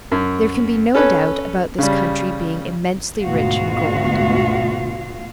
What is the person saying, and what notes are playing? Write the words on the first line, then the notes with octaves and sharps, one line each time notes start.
There can be no doubt about this country being immensely rich in gold.
F#2
C#4 A4 B4 C#5
C#3 G3
D2 G#2 B2 F4 F#4 F5